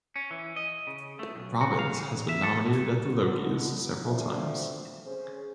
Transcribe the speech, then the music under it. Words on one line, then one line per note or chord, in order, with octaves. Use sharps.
Robbins has been nominated at the Logies several times.
C#4
E3
D#5
C#3
A3
B1
F#4
F5
C#3
E2
E5
A4
B2 D3 F#3 B3
B2 F3 A3 C4 D4
C#4 G#4 C5